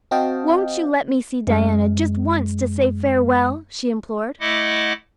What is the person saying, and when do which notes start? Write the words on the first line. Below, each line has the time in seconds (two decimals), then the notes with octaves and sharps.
"Won't you let me see Diana just once to say farewell?" she implored.
0.11 C4 F#4 D#5 F5 G5 A5
1.47 F#2 G#3
4.40 A3 E4 D#5 F#5 D6